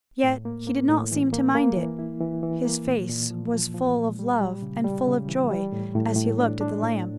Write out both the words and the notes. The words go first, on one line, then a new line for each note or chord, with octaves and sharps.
Yet he did not seem to mind it; his face was full of love and full of joy as he looked at the lamb.
A2
A#3
A#3
A2
E3
A#3
A#3
E3
E4
E3
E3
A#3
A#2
A#2
F3
F3
F3
A#2
G3
G3
C#3
G3
C#3
E3
G3
A2
A2
A2
D4
D4
A2